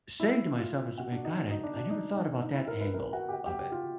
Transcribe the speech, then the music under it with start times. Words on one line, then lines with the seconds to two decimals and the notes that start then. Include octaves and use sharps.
saying to myself as if, "My God, I I never thought about that angle of it,
0.20 E4
0.59 F4
0.98 F#4
1.12 D4
1.24 D#4
1.37 D#4
1.50 D#4
1.64 D4
1.77 D4
1.90 D#4
2.15 D#4
2.29 D4
2.41 D#4
2.54 E4
2.68 A#4
2.81 B4
2.94 A#4
3.13 F#4
3.28 G4
3.33 F#4
3.46 G4
3.59 G4
3.72 F4